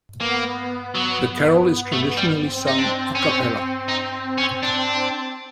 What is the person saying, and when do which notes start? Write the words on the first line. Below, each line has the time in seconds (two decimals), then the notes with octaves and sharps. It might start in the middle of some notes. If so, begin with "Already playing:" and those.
The carol is traditionally sung "a cappella".
0.20 A#3 B3
0.95 F#3
1.92 A3
2.18 G3
2.42 C4
2.68 D#4
2.78 C4 D4
3.15 C4 C#4
3.89 D#4
4.38 C#4
4.63 D4